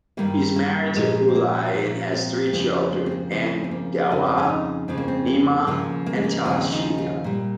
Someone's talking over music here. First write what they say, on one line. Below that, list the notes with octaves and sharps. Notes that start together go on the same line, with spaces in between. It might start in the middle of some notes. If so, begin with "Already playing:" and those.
He is married to Fulli and has three children-Ang Dawa, Nima, and Tashi.
G2 D#3 G3 A#3
A#3
A#2 F3 G#3
C4
A#3
A#2 F3
C4
C4
F2 C#3 F3 A#3
A#3
C4
A#3
F2 C#3 F3 C4
C4
A#3
F2 C#3 F3 C#4
C4
C#4
D#4
F2 C#3 F3 C4
A#3
C4
A#3
D#2 C#3 F3 A#3
A#3
G#3
A#3
D#2 C#3 F3 C4
D#4
F4
A#2 G3